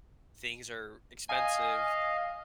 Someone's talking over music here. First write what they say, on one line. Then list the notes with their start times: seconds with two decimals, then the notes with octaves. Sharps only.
things are expensive,
1.29 D#5 F5 G#5